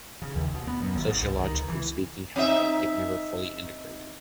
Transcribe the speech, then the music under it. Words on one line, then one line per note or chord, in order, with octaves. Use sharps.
Sociologically speaking, however, it never fully integrated.
C#3
D#2
B2
B3
F#2
G#1
G#2
C2
D#3
C#2
E3
C4 D#4 E5